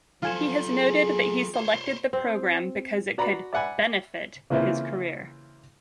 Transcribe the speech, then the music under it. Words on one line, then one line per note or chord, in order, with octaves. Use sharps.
He has noted that he selected the program because it could "benefit" his career.
F3 F#3 F4 A4 G#5 E7
G#4
C5 C#5
C4
F#4 D5 A#5 B5
D5 E5 F#5 G#5 B5
C#3 E3 A#3 C4 E4 F4